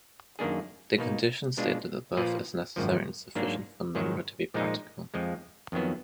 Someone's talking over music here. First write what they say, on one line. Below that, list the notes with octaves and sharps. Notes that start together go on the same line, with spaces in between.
The condition stated above is necessary and sufficient for a number to be practical.
F#2 D#3 A#3 D4 G#4
B2 A#3 D#4
B2 G#3 D4 F4
A#2 F3 A#3 F4 B4
G#1 F#2 F3
G#2 F#3 A#3 D4
G#2 D#3 F#3
A#2 F3 G#3 D#4
F2 F3 G#3
F2 D#3 F#3 B3